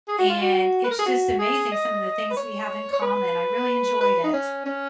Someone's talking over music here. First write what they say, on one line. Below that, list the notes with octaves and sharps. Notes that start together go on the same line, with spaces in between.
and it's just amazing some of the things we have in common. I really enjoyed it.
G#4
F#4
F4
F#4
B4
A#4
G#4
F#4
G#4
D#5
B4
C#5
C#5
B4
B4
D#4
C#4
C#4